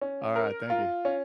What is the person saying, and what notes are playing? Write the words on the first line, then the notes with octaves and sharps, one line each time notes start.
Alright, thank you.
C#4
A#4
F4
C#4